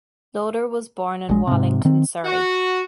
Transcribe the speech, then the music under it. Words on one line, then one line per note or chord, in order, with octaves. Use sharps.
Loader was born in Wallington, Surrey.
A#1 G#3
G#2 C3
D#3 C4
F#4